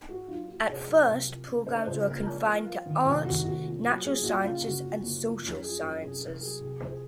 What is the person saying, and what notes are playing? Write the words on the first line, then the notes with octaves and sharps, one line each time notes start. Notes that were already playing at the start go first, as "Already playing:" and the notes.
At first, programmes were confined to the Arts, Natural Sciences, and Social Sciences.
G#2 F#4
F#3 F4
A#2 F#4
C2 G#4
F#3 A#4
C2
F3
C#3
C#3 C5
C#2 C5
A#1 A#4
F3
F3 A#4
F3 F4
D#3
F1
D#3 F#4
F1 F#4
A#2
F#3
A#1 G#4
A#1 F#4
C#3 F4
F#1 F#4
F2
F#1
F3
F#2
F3 G#4
F#2
C2 G#4
C2 A#4
F#3 G#4
C2 G#4
F3 C5
G#4